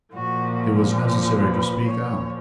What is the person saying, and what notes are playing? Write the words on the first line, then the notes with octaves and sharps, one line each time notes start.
It was necessary to speak out.
A#2 F3 F#4
B4
A#2 F3 C#5